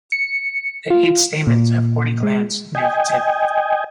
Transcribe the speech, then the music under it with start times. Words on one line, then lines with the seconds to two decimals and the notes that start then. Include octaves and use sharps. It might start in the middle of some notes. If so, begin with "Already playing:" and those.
The eight stamens have warty glands near the tip.
0.12 C#7
0.90 F4
1.47 A#2
2.23 G#3
2.75 D#5 G5 G#5